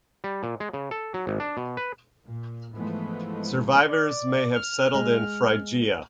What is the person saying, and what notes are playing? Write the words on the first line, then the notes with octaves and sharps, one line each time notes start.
Survivors may have settled in Phrygia.
G3
A#2
G#3
C#3
A4
F#3
G#1
D4
B2
B4
A#2
G#2 E3 F3 G#3 A3 B3
D5
F6
G#3